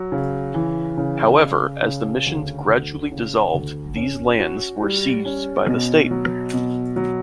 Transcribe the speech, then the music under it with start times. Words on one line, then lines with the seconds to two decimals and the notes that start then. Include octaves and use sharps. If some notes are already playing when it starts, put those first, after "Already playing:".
However, as the Mission gradually dissolved, these lands were seized by the state.
Already playing: F#3
0.12 C#3
0.54 E3
0.97 C#3
1.39 C#3
1.82 C#3
2.26 D2
2.68 D2
3.11 C#3
3.54 D2
3.96 C#4
4.39 F#4
4.82 G3
5.25 C#4
5.68 B2
6.11 F#3
6.53 B2
6.96 F#3